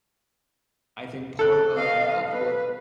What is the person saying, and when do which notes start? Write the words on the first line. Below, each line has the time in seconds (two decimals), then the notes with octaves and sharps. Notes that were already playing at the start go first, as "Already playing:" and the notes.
I think part of of what
1.39 A4 F#6
1.76 D#5 F5
2.31 B4